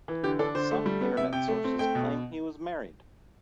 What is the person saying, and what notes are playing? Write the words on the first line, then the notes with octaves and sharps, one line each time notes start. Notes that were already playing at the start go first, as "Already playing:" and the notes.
Some internet sources claim he was married.
E3
D3 G4
D4 A4
D3 C5
A3
G3
B3
C3 E5
C3 G5
A3
C4
A3 G5
B2